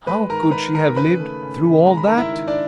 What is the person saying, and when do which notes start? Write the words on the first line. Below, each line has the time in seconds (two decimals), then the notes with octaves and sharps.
How could she have lived throughout all that?
0.06 G#3 B4 B5
0.30 D#3 A#4 A#5
0.43 A#5
0.51 D#3 B4 B5
0.75 D#3 A#4 A#5
0.96 C#3 B4 B5
1.20 A3
1.42 C#3
1.65 C#3
1.87 G#3 A#5
1.97 B5
2.07 D#3 A#4 A#5
2.18 E4 E5
2.33 D#3
2.48 D4 D5